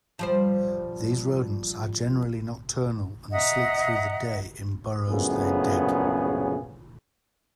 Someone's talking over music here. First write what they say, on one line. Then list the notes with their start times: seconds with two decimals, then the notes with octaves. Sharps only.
These rodents are generally nocturnal and sleep through the day in burrows they dig.
0.19 F3 G3 C5
3.32 D#5 E5 F#5 A#5
5.09 A#1 F#2 A2 C#3 B3 G#4